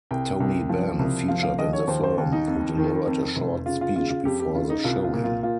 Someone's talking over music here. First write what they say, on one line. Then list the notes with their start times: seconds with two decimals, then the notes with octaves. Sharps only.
Tony Benn, featured in the film, who delivered a short speech before the showing.
0.11 C2 G5
0.40 C2
0.69 F3
0.99 C2
1.28 F3 F5
1.43 F5
1.58 D#2 D#5
1.73 C#5
1.87 D#2 C5
2.03 C5
2.18 D#2
2.32 D#4
2.48 F2
2.77 D#3
3.07 F2
3.36 F1
3.66 C#3 F4
3.81 F4
3.96 C#3 F4
4.10 F4
4.25 F2 G4
4.40 G4
4.55 C#3 F4
4.70 D#4
4.84 C2 F4
5.04 F4
5.13 A#2
5.24 F4
5.43 A#2 F4